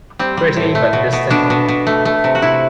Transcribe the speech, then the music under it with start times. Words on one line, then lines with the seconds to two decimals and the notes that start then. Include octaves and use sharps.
Pretty but distant hope.
0.19 G3 C4
0.37 G3
0.56 A2
0.75 A3
0.93 B2
1.13 B2
1.30 B2 D4
1.50 B2
1.68 B2
1.87 A3
2.05 A3
2.24 C3
2.35 F#4
2.42 C3 E4